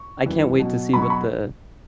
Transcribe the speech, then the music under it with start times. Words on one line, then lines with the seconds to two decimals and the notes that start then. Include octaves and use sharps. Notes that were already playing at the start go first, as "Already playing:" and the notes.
I can't wait to see what the
Already playing: C#6
0.25 F#2 E3 G3
0.59 B2 F#3
0.93 B2 F#3 B5
1.02 C#6
1.10 B5